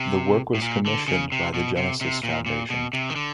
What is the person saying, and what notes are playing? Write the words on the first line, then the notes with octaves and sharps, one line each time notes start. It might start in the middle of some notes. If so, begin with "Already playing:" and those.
The work was commissioned by the Genesis Foundation.
Already playing: C3
A2
A#2
D3
C#3
C3
B2
C3
C3
A#2
A#2
B2
C3
D#3
D3